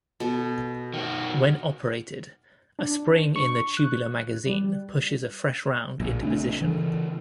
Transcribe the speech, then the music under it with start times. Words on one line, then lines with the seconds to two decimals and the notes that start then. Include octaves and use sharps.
When operated, a spring in the tubular magazine pushes a fresh round into position.
0.20 B2 A4
0.94 D#3 F#4
2.79 D4
3.36 C#6
3.77 F#6
4.46 G3
6.00 A#1
6.23 C#3 A3 C4 D4
6.61 C#3 E3